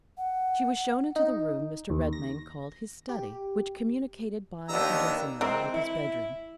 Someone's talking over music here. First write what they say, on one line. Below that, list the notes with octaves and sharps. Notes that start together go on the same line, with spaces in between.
She was shown into the room Mr. Redmain called his study, which communicated by a dressing-room with his bedroom.
F#5
D#4
D#2
A#6
G4
D#2 D#3 B3 D4 A#5 E6
E3 G#3 C4 A#4
E4